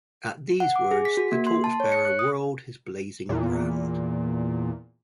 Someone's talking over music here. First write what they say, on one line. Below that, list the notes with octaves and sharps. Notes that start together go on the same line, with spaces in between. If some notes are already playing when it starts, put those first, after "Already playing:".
At these words, the torch-bearer whirled his blazing brand.
F#5
D6
G#4
B6
F#4
A#3
C6
A5
C#5
C#7
F#6
D#6
E2 A#2